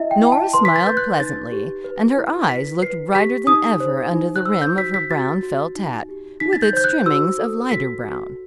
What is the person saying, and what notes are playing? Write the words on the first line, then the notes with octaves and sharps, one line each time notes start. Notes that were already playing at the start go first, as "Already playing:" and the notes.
Nora smiled pleasantly, and her eyes looked brighter than ever under the rim of her brown felt hat, with its trimmings of lighter brown.
Already playing: E4 D#5 E5
G5
E4 G5
A5
B4 C6
B6
A6
B4 G6
F#6
D#4 A6
G4
B4
E4
B4 B6
B4 C7
G4 B6
D#4 D#6
C5
D#4
F#6
C5 E6
G6
F#4 B6
B6
F#4 A6
F#4
D#4
G4
D#4 B6
A6
G6
C5 G6
F#6
F#4 E6
A4
F#4 B6
F#4